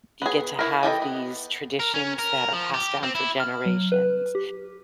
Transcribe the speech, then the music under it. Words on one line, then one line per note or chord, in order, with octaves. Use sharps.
you get to have these traditions that are passed down for generations
B3 G#4
E4 A#4
E3 G4 A4 D#5
B3
A#4
C#4
A#4
F3
G4
C4
E4
F6
F#3
B4
G4